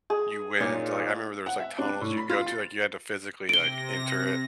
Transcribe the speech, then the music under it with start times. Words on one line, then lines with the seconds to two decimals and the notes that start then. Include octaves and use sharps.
you went like, I remember there was, like, tunnels you go into, like, you had to physically, like, enter it,
0.10 G#4
0.60 A#2 D#4 F4 C#5
1.46 F#5
1.60 E5
1.79 D4
2.01 A2
2.17 B5
2.30 F4
2.46 A6
3.49 C3 A#6 D7 G7